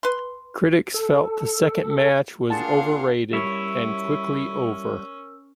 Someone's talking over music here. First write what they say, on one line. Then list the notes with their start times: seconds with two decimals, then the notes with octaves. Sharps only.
Critics felt the second match was overrated and quickly over.
0.03 B4 C6
0.94 A4
2.50 A#2 D4 G#4 F5 F#5 A5 C6
3.33 G3 C#4 E4 A#4 C#5 E5 E6